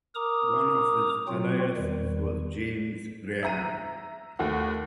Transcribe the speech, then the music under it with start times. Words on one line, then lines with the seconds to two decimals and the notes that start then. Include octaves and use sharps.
One of his aliases was James Graham.
0.15 A#4 A#5 D6 D#6
1.28 B2 F#3 C4 F4 F#4
1.77 E2 D#3 G3
3.43 E5 A#5 D#7
4.39 D#2 A3 F#4 F#5